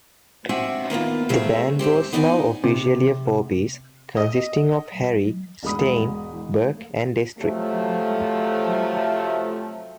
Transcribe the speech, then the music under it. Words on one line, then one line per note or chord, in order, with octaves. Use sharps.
The band was now officially a four-piece, consisting of Harry, Stein, Burke and Destri.
C4 D4 F#4 E5 G#5
D#3 A#3 B3 F4
B2 F#3 A3 C4 G#4 E5
D2 B2 C4 G4
B3 D#4 D5 D#5 F#5 G#5
C3
D#5
E1 G#2 G#3 B5 D#6
C3 F3 F#3 A3